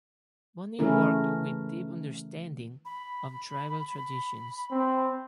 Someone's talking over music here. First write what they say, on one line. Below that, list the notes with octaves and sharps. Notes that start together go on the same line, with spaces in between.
Bony worked with deep understanding of tribal traditions.
C#3 E3 A3 C#4 E4 A#4
B5
C4